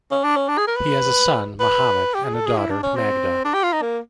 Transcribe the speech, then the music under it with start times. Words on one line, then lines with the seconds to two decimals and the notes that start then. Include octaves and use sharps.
He has a son, Mohammad, and a daughter, Magda.
0.11 C#4
0.24 D4
0.36 C#4
0.48 D4
0.58 G#4
0.67 A#4
0.76 B4
1.60 B4
2.14 G4
2.24 G#4
2.34 A4
2.46 G#4
2.58 E4
2.71 D4
2.83 C#4
2.96 C4
3.45 D4
3.54 G4
3.63 F4
3.73 D#4
3.82 A#3